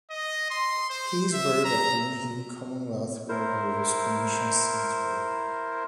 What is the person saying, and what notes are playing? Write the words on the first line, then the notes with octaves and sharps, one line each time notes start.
He is buried at Green Hill Commonwealth War Graves Commission Cemetery.
D#5
C6
C5
E5
A#5
E4 A#4 C5